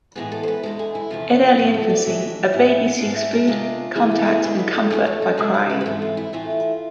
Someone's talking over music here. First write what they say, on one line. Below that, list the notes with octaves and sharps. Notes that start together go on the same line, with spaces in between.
In early infancy, a baby seeks food, contact, and comfort by crying.
A2 E3 G#3 B3 G#4
A4
C5
B4
E2 D3 G#3 A4
G#4
E4
E2 C3 F3 F4
A2 F3 A3 F4
A4
D5
A2 E3 G#3 D4 E5
G#2 E3 B3 E4
G#2 G#3 D4 F5
D5
E5
A4
C3 G#3 D4 F4
C3 E3 B3 E4 G#4
A4
G#4
D3 G#3 D4 B4
B4
A4
F2 E3 A3 G#4
A4
A4
C3 G#3 D4 E5
D5
B4
B4
G#2 E3 G#3 C4 E4 A4
F4
E4
A2 E3 A3 E4 F4